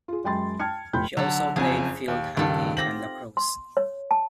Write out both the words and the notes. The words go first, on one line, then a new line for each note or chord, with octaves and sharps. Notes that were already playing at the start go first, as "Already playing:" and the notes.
She also played field hockey and lacrosse.
F4 G#4
F#2 G#3 G5 B5 C6 A6
G5 A5 F6 G#6 C#7
F1 F3 G5 B5 C6 G6
D3 F#3 A4
F#1 F2 G#4 G#5
D#2
C#2 G2 D#3 A4
C4 F4 G4 A#6 F#7
C6
C#5
A5